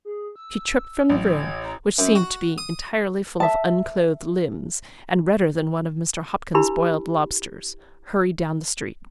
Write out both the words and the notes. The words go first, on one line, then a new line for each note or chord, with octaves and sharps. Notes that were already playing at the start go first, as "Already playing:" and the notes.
She tripped from the room, which seemed to be entirely full of unclothed limbs, and redder than one of Mr. Hopkins's boiled lobsters hurried down the street.
G#4
E6
A1 F#3
G#6
A#5
F#2
F#4
D#6
E5 A5
D4 E4 G4 A#4 B5